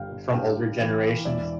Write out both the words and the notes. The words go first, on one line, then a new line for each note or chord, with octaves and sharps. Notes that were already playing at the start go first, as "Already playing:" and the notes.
from older generations,
Already playing: G1 G3 F5 G5
G2 F5 G5
E3
E1 D5 E5